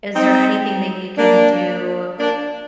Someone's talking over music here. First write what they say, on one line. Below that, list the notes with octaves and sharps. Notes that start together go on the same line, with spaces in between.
is there anything that you can do,
C4 D#4
A#3 D4
A#3 D4